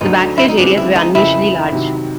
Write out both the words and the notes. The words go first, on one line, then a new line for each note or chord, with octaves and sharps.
The backstage areas were unusually large.
D2 D3 F#3 D#4
E4
D#4
C#2 C#3 E3 G#3 C4 D4
E4
D#4
F2 C#3 E3 E4
C3 D#3 F#3